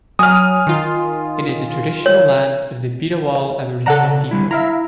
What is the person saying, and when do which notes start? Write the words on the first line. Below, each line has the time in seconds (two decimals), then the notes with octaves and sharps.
It is the traditional land of the Bidawal Aboriginal people.
0.19 F#3 G#5 D#6 F6
0.67 D#3 F4
2.06 C#5
3.86 C#3 A4 D5 F#5 A5 A#5
4.31 D3 G3 E4
4.51 E4 E5 F5 A#5